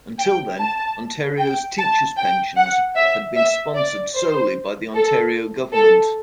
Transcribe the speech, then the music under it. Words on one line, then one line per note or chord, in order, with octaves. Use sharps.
Until then, Ontario teachers' pensions had been sponsored solely by the Ontario government.
G5
A5
G5
A5
G5
F#5
E5
E5
D5
C5
A4
A4